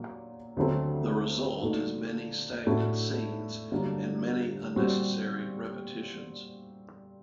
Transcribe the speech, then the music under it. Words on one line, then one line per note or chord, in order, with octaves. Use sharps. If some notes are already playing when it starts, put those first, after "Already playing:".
The result is many stagnant scenes and many unnecessary repetitions.
Already playing: A#2 F#3 A#3
D2 D3 F#3 A3 C4
A#2 A3 D#4 F#4
A2 A3 D4 F#4
G2 D3 F#3 A#3 D4
A#2 G3 C4 F#4